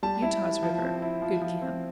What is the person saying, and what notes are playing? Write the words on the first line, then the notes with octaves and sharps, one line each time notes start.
Utah's River.--Good camp.
G3 A5
E4
E4
F3
C4
E4
F3
F3
C4